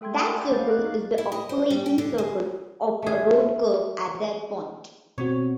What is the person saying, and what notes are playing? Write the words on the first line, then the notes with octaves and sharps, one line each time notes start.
That circle is the osculating circle of the road curve at that point.
A3 A4 G5 C6 G#6
D5 F#5 G#5 B5 C6
D5 F#5 A#5 D6 G6
F5 A6
D#5 D6 F#6
D#4 F#4 F5
E4
D#5
C5
G3
G5
D3
G#3
A3 G#4
B2 C4 F#4 C#5